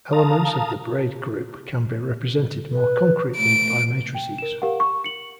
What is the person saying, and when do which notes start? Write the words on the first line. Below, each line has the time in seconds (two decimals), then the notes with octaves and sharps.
Elements of the braid group can be represented more concretely by matrices.
0.13 F5 A5 A#5 D#6
2.71 B4
3.37 A3 D7
4.15 G5
4.38 A#4 E7
4.62 G4 A#4 F5 F#5
4.80 C#6
5.04 C#7 F#7